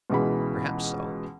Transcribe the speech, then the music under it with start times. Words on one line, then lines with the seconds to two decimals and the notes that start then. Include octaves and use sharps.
Perhaps so.
0.10 C#2 B2 E3 G#3 B5